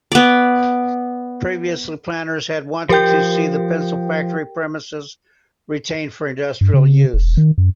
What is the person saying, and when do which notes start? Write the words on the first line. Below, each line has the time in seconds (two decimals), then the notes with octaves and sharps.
Previously, planners had wanted to see the pencil factory premises retained for industrial use.
0.12 B3 D5
2.89 F3 G4 A#4 G5 G6
6.61 G2
6.74 C#3
7.14 E1
7.37 D#3
7.58 F#2